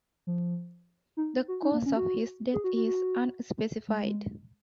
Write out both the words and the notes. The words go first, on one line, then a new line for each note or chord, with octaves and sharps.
The cause of his death is unspecified.
F3
D#4
F#4
D#4
A#3
C#4
F#4
G#4
F#4
F#4
F#4
G#3